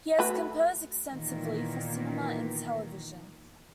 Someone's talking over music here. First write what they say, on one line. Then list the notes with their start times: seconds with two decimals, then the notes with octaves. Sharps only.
He has composed extensively for cinema and television.
0.19 A3 F#4 B4
1.11 A#2 D#3 E3 A#3 B3